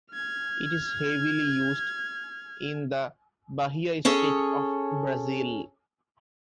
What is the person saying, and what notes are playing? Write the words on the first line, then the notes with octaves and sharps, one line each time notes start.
It is heavily used in the Bahia state of Brazil.
F6 G#6
C#4 G#4 A4 C#5